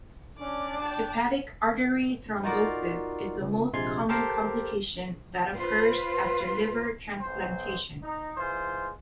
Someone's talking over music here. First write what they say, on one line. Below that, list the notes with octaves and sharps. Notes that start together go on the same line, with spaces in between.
Hepatic artery thrombosis is the most common complication that occurs after liver transplantation.
C#4 D4 D5
G5 A5
D#4 F4 F#4 A#4 D5
C#2
A#1 C3 G#3 F4 C6 G#6
G4 A4 A#4 C5 F5 A5
F4 B4 C5
B1 C5
D#4
E3 G#3 F4 C5